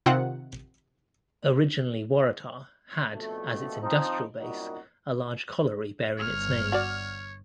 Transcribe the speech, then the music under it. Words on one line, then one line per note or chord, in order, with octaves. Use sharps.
Originally Waratah had as its industrial base a large colliery bearing its name.
C3 D#3 C4 F4 F#5
A#1 F2 B2 A3
F3 C4 D#4
C2 F#2 A#2 G3 D#4 F#4
G1 C#5 F6
F#4 D5